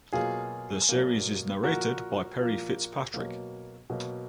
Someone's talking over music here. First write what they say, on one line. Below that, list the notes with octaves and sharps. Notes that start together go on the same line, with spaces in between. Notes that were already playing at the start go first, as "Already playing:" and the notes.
The series is narrated by Perry Fitzpatrick.
B2 F#3 A#3 F4 G#4
B2 F#3 A#3
A#2 F3 A#3 F#4 A#4
A#2 F3 A#3
B2 F#3 A#3
B2 F#3 A#3